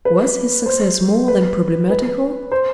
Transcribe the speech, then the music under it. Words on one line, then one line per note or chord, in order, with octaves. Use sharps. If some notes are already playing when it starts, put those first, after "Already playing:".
Was his success more than problematical?
B4
C5
B4
B4
C5